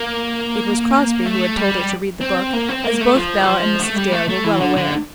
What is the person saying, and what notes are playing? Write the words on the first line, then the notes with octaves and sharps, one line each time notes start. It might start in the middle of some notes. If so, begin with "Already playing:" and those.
It was Crosbie who had told her to read the book, as both Bell and Mrs. Dale were well aware.
Already playing: A#3
A3
G3
C4
A#3
C4
A#3
A3
F3
G3
F3
A3
G3
A3
A3
E3
D3
D3